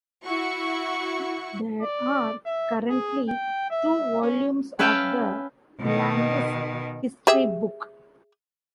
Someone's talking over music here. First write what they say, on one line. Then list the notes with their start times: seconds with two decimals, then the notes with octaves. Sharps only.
There are currently two volumes of the Landis History Book.
0.24 E4 F#4 C#6
1.82 D5
2.46 E5
2.89 G#4
3.29 G5
3.70 E5
4.21 C#4
4.79 C#4 B4 E5 F5 G5 A5
5.81 B2 D#3
7.27 G4 G#4 E5